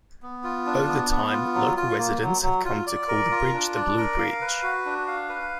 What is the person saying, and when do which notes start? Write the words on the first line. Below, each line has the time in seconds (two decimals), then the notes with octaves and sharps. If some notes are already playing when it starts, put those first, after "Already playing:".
Over time, local residents have come to call the bridge the Blue Bridge.
0.22 B3
0.44 F4
0.66 D4
0.88 B3
1.11 B3
1.33 F4
1.54 F#3
1.77 F4
1.98 A#3
2.21 F#3
2.42 F#3
2.65 F4
2.87 D5
3.08 A#4
3.31 F4
3.54 D4
3.75 D5
3.97 A#4
4.19 F5
4.41 B4
4.63 F#4
4.85 D4
5.07 F5
5.29 B4